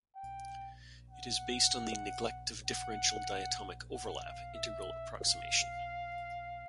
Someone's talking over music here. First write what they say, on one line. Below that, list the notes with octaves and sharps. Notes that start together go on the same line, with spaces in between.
It is based on the Neglect of Differential Diatomic Overlap integral approximation.
G5
F#5
F#5
F#5
F5
E5
F5